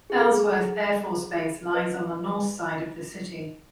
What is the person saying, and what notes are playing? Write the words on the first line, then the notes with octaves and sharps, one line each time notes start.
Ellsworth Air Force Base lies on the north side of the city.
G#4
A4
G#4
B4 D#5